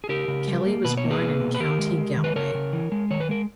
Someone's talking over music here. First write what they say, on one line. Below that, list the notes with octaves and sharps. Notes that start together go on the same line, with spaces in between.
Kelly was born in County Galway.
G#4
C#3 G4 A#4
C#3
G3
A#3
B2 B4
C#5
A#3
G#4 B4
A#3
B2
B4
D#3 G4 A#4
G#3
G#3
D#3
B4
C#3 A#4 C#5
C#3
E3
G#3
D#3 C#5
B4
G#3 A#4